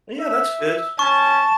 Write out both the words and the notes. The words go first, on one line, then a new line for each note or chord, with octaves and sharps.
Yeah, that's good.
E5
C#4 A5 C#6